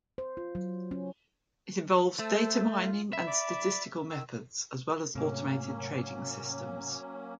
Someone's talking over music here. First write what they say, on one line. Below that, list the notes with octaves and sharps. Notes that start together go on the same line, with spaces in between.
It involves data mining and statistical methods, as well as automated trading systems.
C5
F4
F#3
C#4
A3 C5 A5 E6
F4
E5 B5
D5 B5 D6
D#3 E6
G#2 C3 F#3 A3 A#3 C#4